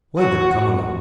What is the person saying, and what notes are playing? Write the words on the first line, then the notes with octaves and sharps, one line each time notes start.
"Well, then, come along."
F#4